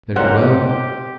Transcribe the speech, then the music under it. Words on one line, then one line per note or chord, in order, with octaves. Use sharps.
Very well.
G3 C#4 G4 A#4 C5 D#5 F5 F#5